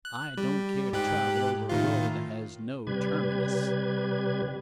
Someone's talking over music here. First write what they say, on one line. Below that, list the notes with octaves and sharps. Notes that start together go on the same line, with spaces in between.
I don't care to travel over a road that has no terminus.
F#6
G3
G#2 G4 F#6
A2 D#3 F4
C3 G3 B4 G#6